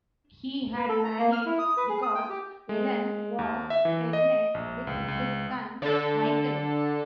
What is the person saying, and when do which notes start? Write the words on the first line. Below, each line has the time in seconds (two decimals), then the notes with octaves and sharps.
He had married because Ellen was pregnant with his son, Michael.
0.76 B4
0.89 A4
1.04 A#5
1.19 A#3
1.32 F6
1.46 E4
1.59 D#6
1.77 B4
1.89 G#4
2.02 D#6
2.15 G5
2.29 G4
2.69 G#3
3.39 D#2
3.70 E5
3.85 E3
4.13 D#5
4.54 A#1
4.87 C#2
5.08 C#2
5.82 D3 A4